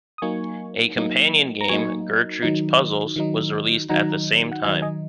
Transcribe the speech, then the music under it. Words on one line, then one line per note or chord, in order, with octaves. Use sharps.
A companion game, "Gertrude's Puzzles" was released at the same time.
D#6
F#3 A#3 D#4 G#5 C#6
F#3 A#3 D#4
A#5
F#3 A#3 D#4 G#5 C#6
D#3 F#3 D#4
D#3 F#3 D#4
D#3 F#3 D#4 F#5 A#5
F#5
D#3 F#3 D#4 D#5 G#5
D#5 G#5